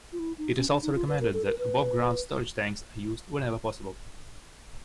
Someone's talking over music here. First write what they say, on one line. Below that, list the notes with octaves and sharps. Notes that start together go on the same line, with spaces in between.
It is also recommended that above-ground storage tanks are used whenever possible.
F4
E4
D#4
C#4
D4
D#4
F4
B4
A#4
A4
A#4
B4